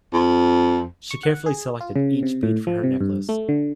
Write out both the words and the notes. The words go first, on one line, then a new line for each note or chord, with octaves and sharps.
She carefully selected each bead for her necklace.
F2
C#6
F#5
G#4
F4
C#3
C3
A2
F3
C3
G2
A3
D3